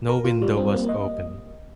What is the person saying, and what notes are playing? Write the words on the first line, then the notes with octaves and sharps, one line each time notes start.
No window was open.
A#4
F4
G3
C4
A#3
D#5